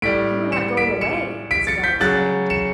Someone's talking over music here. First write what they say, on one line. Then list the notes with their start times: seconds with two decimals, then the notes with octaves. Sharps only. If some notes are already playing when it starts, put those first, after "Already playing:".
"You're not going away!" Isabel exclaimed.
0.02 A2 G3 B6 D7
0.52 C#7 E7
0.77 B6 D7
1.01 C#7 E7
1.51 B6 D7
1.67 A6 C#7
1.84 G6 B6
2.00 C#3 F#3 F#6 A6
2.50 C#7 E7